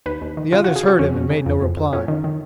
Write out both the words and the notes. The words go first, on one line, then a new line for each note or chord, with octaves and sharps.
The others heard him and made no reply.
D#2 B4
D#2
D#3
C#3 F4
C#3 F#4
G#4
C#3 F#4
F2 C#4
F2
C#3
F2
F2
F2
F2 C#4
D#3
D#3